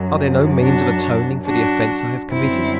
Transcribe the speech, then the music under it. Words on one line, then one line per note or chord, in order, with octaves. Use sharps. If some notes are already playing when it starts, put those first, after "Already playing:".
Are there no means of atoning for the offense I have committed?
Already playing: F#2 F#3
D4 F#4
D4 F#4
F#2 D3 G3 C4 E4